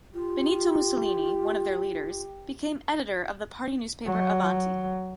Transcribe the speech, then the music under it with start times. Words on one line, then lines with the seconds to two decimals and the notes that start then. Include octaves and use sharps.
Benito Mussolini, one of their leaders, became editor of the party newspaper Avanti!
0.14 F4 G4
4.06 F#3